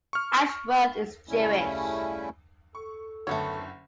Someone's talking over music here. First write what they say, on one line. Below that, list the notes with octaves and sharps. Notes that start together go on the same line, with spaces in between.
Ashworth is Jewish.
C#6 F6
C#3 G3 A3 C#4 E4
A4 C#6
F#1 D3 A3 B3 C#5